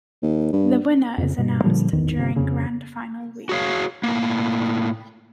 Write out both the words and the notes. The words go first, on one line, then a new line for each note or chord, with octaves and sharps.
The winner is announced during grand final week.
D#2
G2
F2 C#3
G2 B2
A#2 D3 F3 G3
D1 G#1 E2 D#3
G1 C3
F2 C#3
F#4 G#4 C#5 F5
A2 A#3